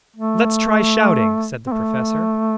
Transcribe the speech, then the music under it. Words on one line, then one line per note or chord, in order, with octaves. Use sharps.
"Lets try shouting," said the Professor.
A3
C4
A3